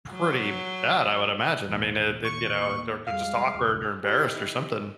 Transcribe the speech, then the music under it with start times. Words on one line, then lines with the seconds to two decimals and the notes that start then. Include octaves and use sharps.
pretty bad, I would imagine, I mean, it it, you know, they're they're just awkward, or embarrassed, or something.
0.13 F#3
1.65 A#1 D#2 E3
2.25 D#2 A2 C#6
3.07 F2 G3 G#3 F5
3.53 F1 D2 D3
4.04 D#3 E4 G4